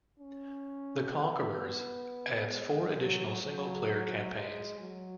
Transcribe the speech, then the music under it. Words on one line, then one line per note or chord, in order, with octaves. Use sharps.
"The Conquerors" adds four additional single player campaigns.
C#4
B3
G#3
F#3
F#3
G#3
F#3